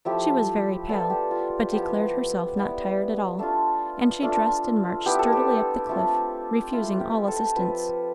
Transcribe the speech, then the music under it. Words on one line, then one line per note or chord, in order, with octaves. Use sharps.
She was very pale, but declared herself not tired at all, and she dressed and marched sturdily up the cliff, refusing all assistance.
F3 A3 E4 G4
G3 B3 F4 A4
G4
F4
F3 B3 E4 G4
G3 B3 E4
A3 D4 F4
A3 D4 F4
B3 E4 G4
A4
G4
A3 C4 F4
A3 E4 F4
G4
A4
F3 C4 F4 B4